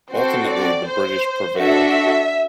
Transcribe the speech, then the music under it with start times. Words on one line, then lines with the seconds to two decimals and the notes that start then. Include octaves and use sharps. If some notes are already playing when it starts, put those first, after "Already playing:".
Ultimately, the British prevailed.
0.14 C4 F#4 A4 C5
0.51 D5
0.87 C5
1.59 D4 F#4 A4 E5